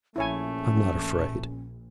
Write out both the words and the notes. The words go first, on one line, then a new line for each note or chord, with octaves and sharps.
"I'm not afraid."
A#1 A3 C#4 E4 C#5 G#5